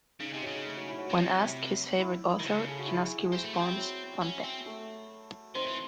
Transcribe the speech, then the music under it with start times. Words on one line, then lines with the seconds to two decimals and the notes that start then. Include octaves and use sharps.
When asked his favorite author, Chinaski responds, Fante.
0.20 C#3 D#4
0.32 C3 G#3
0.43 C#3 F#3
0.54 G#3
0.65 A3
0.77 F#3
0.88 E4
0.98 F#3 F#4
1.10 C3
1.99 E4
2.39 D#3
2.43 C#3
2.59 A4
2.68 G#4
2.79 F#4
2.87 E4
3.32 C4
3.44 A3
3.55 C4
3.77 F#3 F#4
4.21 C#4
4.44 C4
4.66 A3 A4
5.55 D#3 C4 C5
5.66 E3